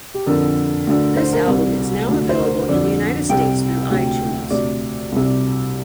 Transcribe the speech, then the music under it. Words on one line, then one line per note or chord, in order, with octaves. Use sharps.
This album is now available in the United States through iTunes.
G4
F2 D3 A#4
D2 D3
C5
A#4
C2 C3
D2 D3
C5
A#4
F2 D3 D5
C2 C3 G5
D2 C3
D2 C3 D5
C2 C3